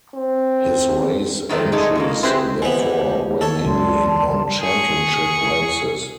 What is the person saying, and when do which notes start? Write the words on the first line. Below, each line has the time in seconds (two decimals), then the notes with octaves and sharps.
His race entries, therefore, were mainly in non-championship races.
0.15 C4
1.49 D#3 F#3 A3 A#3 C4
1.72 D3 G#3 A3 D#4 G#4 A4
1.95 F2 B2 A#3
2.23 C4 E4 G4 G#4 B4 C5
2.62 E3 B3 G4 C5 D#5
3.41 A4 C#5
3.65 C#2 D5 A5 C6
4.60 G#4 C#6